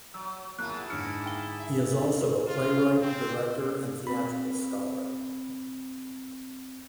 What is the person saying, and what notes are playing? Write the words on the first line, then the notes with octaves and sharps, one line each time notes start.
He is also a playwright, director, and theatrical scholar.
F#3 E6
F#3 A#3 E4 F4 G#4 A5 F#6
G#2 D3 A#3 B3 F6 C#7
G5 G7
E5
F4
C4
C4 B5